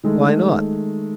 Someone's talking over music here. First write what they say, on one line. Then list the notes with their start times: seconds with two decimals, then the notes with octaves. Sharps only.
"Why not?"
0.04 D#3 G#3 A3